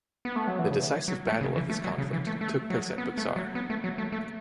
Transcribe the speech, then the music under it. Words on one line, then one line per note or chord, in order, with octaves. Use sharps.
The decisive battle of this conflict took place at Buxar.
B3
A3
F#3
E3
C#3
F#3
A3
C#3
E3
A3
F#3
C#3
E3
A3
A3
F#3
B3
A3
F#3
B3
A3
F#3
A3
A3